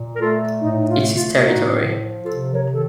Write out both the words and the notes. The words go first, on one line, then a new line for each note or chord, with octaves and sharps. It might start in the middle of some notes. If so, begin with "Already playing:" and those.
It's his territory.
Already playing: A#2
A#4
A3 F4 A4
A2 D#4
D#4
F4
A3
F4
A2 D#4 F#4
F3
C3 F4 A4
A#4 C#5
D#3
A4